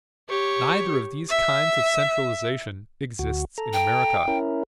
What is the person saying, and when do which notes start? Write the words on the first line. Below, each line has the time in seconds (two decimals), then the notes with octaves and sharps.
Neither of these kinds of centralization exists in America.
0.29 G4 C#5
1.29 E5
3.19 D2 F#4
3.58 A4 A#5
3.73 G5
4.28 C#4 E4 A#4